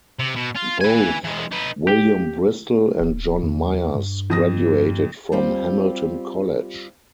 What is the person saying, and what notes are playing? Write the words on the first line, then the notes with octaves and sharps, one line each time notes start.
Both William Bristol and John Myers graduated from Hamilton College.
C3
B2
F4
B4 G#5
E3 G#3
D#4 B4
G4 G5
D1
E2
G2
F2 D#6 A#6
G3 C4 F4 G4